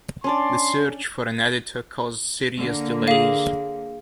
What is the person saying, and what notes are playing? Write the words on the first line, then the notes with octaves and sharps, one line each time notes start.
The search for an editor caused serious delays.
C#4 D4 D5 C6
D3 A#3
G#4 F5